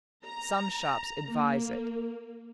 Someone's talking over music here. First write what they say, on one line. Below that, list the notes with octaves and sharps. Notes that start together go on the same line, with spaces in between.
Some shops advise it.
A#5
A#3